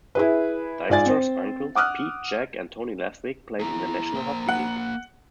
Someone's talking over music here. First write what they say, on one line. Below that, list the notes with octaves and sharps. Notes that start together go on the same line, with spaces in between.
Dykstra's uncles, Pete, Jack, and Tony Leswick, played in the National Hockey League.
E4 G#4 B4
G#2 F4 D5 G#5 A6
C4 C5
F#5 D6 D#6 F6 F#6
E4 G#4 A#5
A#3 C5
F#5